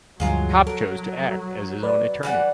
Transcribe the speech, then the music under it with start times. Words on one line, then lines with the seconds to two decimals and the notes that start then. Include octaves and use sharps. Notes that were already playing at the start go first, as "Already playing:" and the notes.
Kopp chose to act as his own attorney.
0.20 D2 G2 F3 F#3 G#3 F4 A#5
0.67 A4 A#4
1.83 B4 D5
2.23 E3 G3 F#5